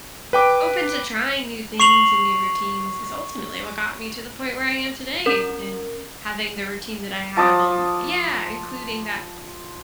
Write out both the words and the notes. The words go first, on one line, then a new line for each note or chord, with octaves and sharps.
open to trying new things and new routines is ultimately what got me to the point where I am today and and having the routine that I have and Yeah, including that
B4 G5 D6
C#6 C7 F7 F#7
C#4 A#4
F3 A5 D6 D#6